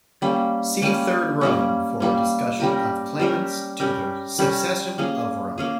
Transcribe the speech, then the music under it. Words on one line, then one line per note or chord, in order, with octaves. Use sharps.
See Third Rome for a discussion of claimants to the succession of Rome.
G3 A#3 C#4
G3 A#3 C#4
G3 A#3 C#4
G3 A#3 C#4
G3 C#4 G4 A#4
G3 C#4 G4 A#4
G3 C#4 G4 A#4
G3 C#4 G4 A#4
A#3 C#4 G#4
A#3 C#4 G#4